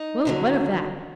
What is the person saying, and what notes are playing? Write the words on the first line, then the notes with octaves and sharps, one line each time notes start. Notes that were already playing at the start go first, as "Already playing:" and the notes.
"Well, what of that?"
Already playing: D#4
D#2 D3 F#3